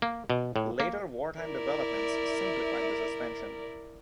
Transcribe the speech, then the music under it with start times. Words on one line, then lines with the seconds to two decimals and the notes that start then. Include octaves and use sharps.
Later wartime developments simplified the suspension.
0.02 A#3
0.30 B2
0.56 A2
0.80 A#3
1.39 E4 A#4 D5